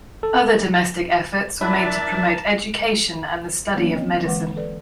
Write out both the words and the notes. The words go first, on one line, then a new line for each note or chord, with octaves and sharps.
Other domestic efforts were made to promote education and the study of medicine.
A4
D4 E4 A#4 D5 E5 A5
E3 F#3 A#3 B3 C#4 D4
C4 C#5 D#5
D3 E3 G#3 B4 F#5 D6
A4 B4 D5